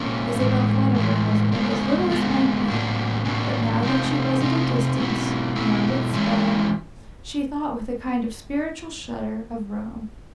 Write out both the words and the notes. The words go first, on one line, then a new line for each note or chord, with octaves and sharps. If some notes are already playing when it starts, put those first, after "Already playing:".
Isabel thought of her husband as little as might be; but now that she was at a distance, beyond its spell, she thought with a kind of spiritual shudder of Rome.
Already playing: A#2 F3 A#3 C#4
A2 E3 G#3
A2 E3 G#3
D3 F3 G#3 B3
D3 F3 G#3 B3
A2 F#3 A#3 D4
A2 F#3 A#3 D4
C3 F3 A3 C4 D#4
C3 F3 A3 C4 D#4
B2 F#3 B3 E4
B2 F#3 B3 E4
E3 G#3 C#4 E4